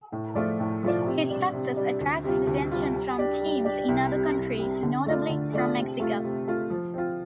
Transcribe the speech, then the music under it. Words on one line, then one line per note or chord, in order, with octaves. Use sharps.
His success attracted attention from teams in other countries, notably from Mexico.
A2
F3 A3 F4 D5
A2
F3 A3 F4 D5
C3
G3 D4
C3
G3 D4
D2
C3 G3 F4
D2
C3 G3 F4
G3
D4 G4
G3
D4 G4
C2
C3 G3
C2
C3 G3
D3
A3 D4 F4
D3
A3 D4 F4
C3
A3 F4
C3
A3 F4
F3
C4 F4